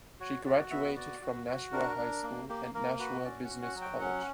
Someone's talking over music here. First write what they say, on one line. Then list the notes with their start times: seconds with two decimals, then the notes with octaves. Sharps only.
She graduated from Nashua High School and Nashua Business College.
0.20 F#4 C#5
0.45 F#4 D5
0.71 B3 E5
0.96 F#4 D5
1.22 F#4
1.47 F#4
1.72 D4 A#4
1.98 D4
2.23 A#3
2.49 A#3 G4
2.74 A#3 A#4
2.99 F#4 B4
3.25 C#4 D5
3.44 F#5
3.50 F#4
3.63 F#5
3.75 F#3
3.81 G5
4.00 C#4 F#5